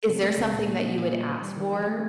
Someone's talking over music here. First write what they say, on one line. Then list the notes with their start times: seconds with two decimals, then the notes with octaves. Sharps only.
is there something that you would ask for,
0.09 C3
0.23 A3
0.38 C#2
0.53 A#2
0.68 A#2
0.83 F3
0.97 A#2
1.13 G3
1.27 D#3
1.42 G3
1.57 D#3
1.72 F3
1.87 A3